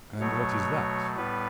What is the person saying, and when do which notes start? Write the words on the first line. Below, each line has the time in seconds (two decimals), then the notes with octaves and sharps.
"And what is that?"
0.20 B2 F#3 A3 C#5
1.16 A2 G3 B3 B4